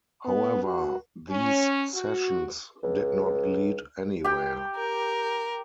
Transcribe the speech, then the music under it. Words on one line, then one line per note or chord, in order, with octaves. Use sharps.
However, these sessions did not lead anywhere.
B3
F#4
C#4
F#4
C#2
G4 G5
A#4